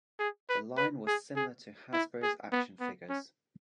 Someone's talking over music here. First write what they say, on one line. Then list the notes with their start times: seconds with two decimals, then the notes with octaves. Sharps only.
The line was similar to Hasbro's action figures.
0.19 G#4
0.49 B4
0.78 B4
1.07 G#4
1.36 G#4
1.93 E4
2.23 G#4
2.52 B3
2.80 B3
3.10 C#4